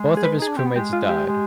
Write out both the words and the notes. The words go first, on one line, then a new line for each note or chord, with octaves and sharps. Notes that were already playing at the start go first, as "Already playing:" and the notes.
Both of his crewmates died.
Already playing: G#3
G#4
B4
D#4 G#4
D4
C4 G4
B3
G#3 G4
F4
G4
G#3